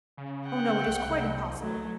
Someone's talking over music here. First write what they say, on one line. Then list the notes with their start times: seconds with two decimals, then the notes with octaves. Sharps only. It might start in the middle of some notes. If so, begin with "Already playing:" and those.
Oh, no, it is quite impossible.'
0.17 C#3
0.48 F#5 G5
0.87 C2
1.59 F#3 A3